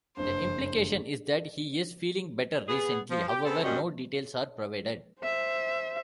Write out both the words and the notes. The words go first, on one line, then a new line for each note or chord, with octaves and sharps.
The implication is that he is feeling better recently; however, no details are provided.
F#1 G2 C5
B3 G#4
F3
G4
C#3 B3 C4 A4
F#2 F3 G3 C#4 F#4 D#5
C5 E5